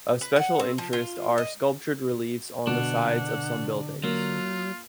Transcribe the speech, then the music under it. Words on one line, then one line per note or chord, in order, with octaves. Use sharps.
Of special interest are sculptured reliefs on the sides of some buildings.
B4
F#5
C4
F3
F4
D#5
B2 D3 D4 F#5
F#3 A#3 F4